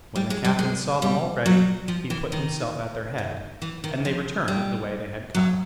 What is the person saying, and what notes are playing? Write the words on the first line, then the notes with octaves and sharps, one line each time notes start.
When the captain saw them all ready, he put himself at their head, and they returned the way they had come.
G3
G#3
G3
G#3
G3
F#3
F3
E3
D#3
D#3
E3
D#3
F3
G3
F#3